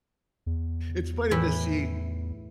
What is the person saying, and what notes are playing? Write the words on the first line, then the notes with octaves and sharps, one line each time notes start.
it's funny to see
E2
A2 E3 E4